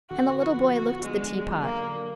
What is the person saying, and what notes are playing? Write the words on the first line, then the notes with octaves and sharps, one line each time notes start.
And the little boy looked at the tea-pot.
D3 F#4
B3
F3 F#4
B3
B3 F#4
F3
G#3 D4
D4
F#3
D4
D3 A#3
D4
D4